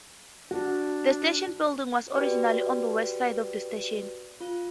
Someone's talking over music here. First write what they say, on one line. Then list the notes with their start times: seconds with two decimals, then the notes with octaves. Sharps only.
The station building was originally on the west side of the station.
0.51 D4 F#4
2.15 F#4 G4 B4 D5
4.41 F4